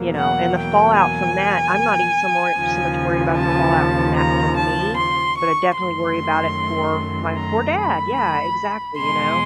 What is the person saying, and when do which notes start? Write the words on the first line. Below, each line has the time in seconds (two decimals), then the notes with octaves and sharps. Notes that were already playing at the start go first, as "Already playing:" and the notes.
you know, and the fallout from that I'm not even so more so much worried about the fallout from that for me, but I definitely worry about it for my poor dad. Yeah, exactly, you know.
Already playing: E2 B2 F#3 A#3
0.16 F#5
0.57 G5
0.97 G#5
2.57 D#2 C#3 F3
3.37 A5
4.17 A#5
4.57 A5
4.98 C6
5.38 C#6
5.77 F#2 D#3 F#3 A3 C6
7.37 A#5
7.78 B5
8.98 E2 B2 G#3 C6